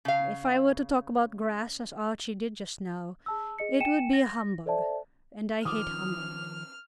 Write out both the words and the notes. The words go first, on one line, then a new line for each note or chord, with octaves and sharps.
If I were to talk about grass, as Archie did just now, it would be a humbug, and I hate humbug.
C#3 F5
G#4 A5 E6
G#4 D#5 C#7
G5 G#5 C#7 D#7 E7
A#6
A4 C5 D5 E5 A5
D#3 F3 D6 D#6 F6